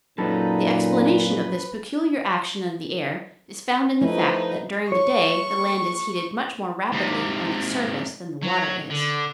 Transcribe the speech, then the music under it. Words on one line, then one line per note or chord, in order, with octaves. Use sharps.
The explanation of this peculiar action of the air is found in the fact that during the day the land is heated much more rapidly on its surface than the water is.
F#2 A#2 D#4 A4 B4
F3 A3 D#4 E4 B4
C#5 C#6
G#2 C3
F#3
D3